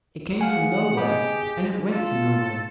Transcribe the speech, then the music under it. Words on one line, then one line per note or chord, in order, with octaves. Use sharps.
It came from nowhere, and it went to nowhere.
G#4 F5 F#5 G#5
B3 D#4 G4 G#4
G#1
F4 A4